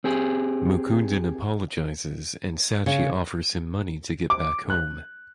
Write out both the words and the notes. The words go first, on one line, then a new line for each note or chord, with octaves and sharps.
Mukundan apologizes and Sachi offers him money to get back home.
C4 G4 G#4
C#3
D6
F#6